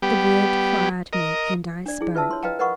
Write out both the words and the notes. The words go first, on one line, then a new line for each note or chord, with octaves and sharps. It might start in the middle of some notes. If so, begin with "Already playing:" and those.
The word fired me, and I spoke.
G3 B3 G4
A#4 D#5
D4 D5
E4 G#4
F4 B4 E5 A5 E6
C#5 C6
B4 D#5 F5 G5 A#5
A#4 B4 D#5 F#5 B5 C#6